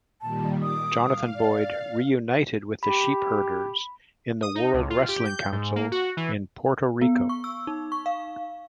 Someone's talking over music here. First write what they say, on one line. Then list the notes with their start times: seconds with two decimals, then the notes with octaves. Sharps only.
Jonathan Boyd reunited with the Sheepherders in the World Wrestling Council in Puerto Rico.
0.21 A#2 D#3 G3 A5
0.62 D6 D#6
1.00 F5
1.35 D5
2.83 G4 B5
4.42 D#6
4.55 D#4
4.74 C#2
4.90 F4
5.08 G4
5.25 G6
5.52 G#2
5.76 A#3
5.92 F#4
6.17 E3
7.01 B3
7.29 C#6
7.44 E6
7.67 D#4
7.92 C#6
8.06 F5